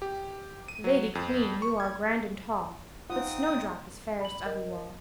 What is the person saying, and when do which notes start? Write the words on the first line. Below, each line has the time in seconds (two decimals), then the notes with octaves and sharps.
"Lady queen, you are grand and tall, But Snowdrop is fairest of you all."
0.02 G4
0.68 D#7
0.84 F#3
1.15 F2
1.62 C#6
1.80 G#6
3.09 C4 D#4 F4 F#5 D#6
4.21 B5 F#7
4.46 A#4 D#5